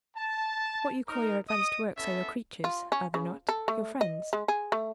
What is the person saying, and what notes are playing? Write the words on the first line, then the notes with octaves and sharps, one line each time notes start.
"What you call your advanced works are your creatures, are they not--your friends?"
A5
D#4 A#4
D#5 D#6
B3 C#4 E4 A4 E5
F4
C#4
C#3
A4
A3
D#5
G#3
G#4
A3